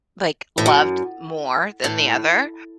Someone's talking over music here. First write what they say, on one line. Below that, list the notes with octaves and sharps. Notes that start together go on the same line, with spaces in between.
like, loved more than the other.
A2
F#2
A2